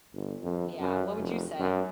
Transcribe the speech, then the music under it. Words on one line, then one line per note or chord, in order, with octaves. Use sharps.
Yeah, what would you say?
G1
F2
F#2
F1
F#2